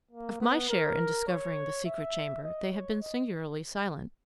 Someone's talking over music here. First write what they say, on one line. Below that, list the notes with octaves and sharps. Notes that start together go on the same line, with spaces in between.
Of my share in discovering the secret chamber they have been singularly silent.
A#3
B3
A#4
C#5
E5
D#5
C#5
D#5